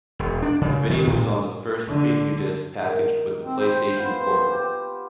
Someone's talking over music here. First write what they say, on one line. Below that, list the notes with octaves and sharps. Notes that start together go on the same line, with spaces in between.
The video was on the first preview disk packaged with the PlayStation Portable.
E1
D4
C#3
D#3
A2
D3
D#3
C4
C5 G5 B5
B3 F4
G4